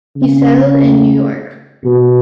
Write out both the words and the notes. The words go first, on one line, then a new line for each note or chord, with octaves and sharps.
He settled in New York.
C#3
B2